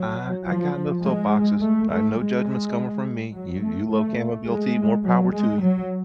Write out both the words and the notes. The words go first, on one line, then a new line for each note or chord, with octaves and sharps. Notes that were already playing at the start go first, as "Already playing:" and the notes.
Ah, I got no soapboxes. I no judgments coming from me, you you love chamomile tea, more power to you.
Already playing: F#3
F3
G#3
A3
A3
G#3
F#3
A3
A3
G#3
F#3
G#3
F#3